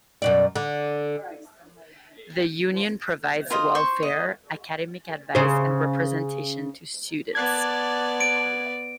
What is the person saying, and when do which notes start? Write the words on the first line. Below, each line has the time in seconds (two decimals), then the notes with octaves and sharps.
The Union provides welfare, academic advice and representation to students.
0.22 F#2 B2 D5
0.56 D3
3.50 F4 C5 D#5
3.75 C5 C#6
4.03 D#5
5.35 C#3 C5
7.35 B3 D5 A5 D6 F#6 G#6
8.21 D7